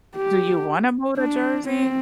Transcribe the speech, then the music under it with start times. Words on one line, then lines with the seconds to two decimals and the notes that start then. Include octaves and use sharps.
Do you wanna move to Jersey?
0.16 G4
1.18 D4
1.68 C4